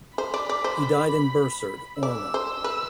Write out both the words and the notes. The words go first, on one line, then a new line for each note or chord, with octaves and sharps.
He died in Bursard, Orne.
C5 B5
D5
D5
C5
D5 E6
C5
B4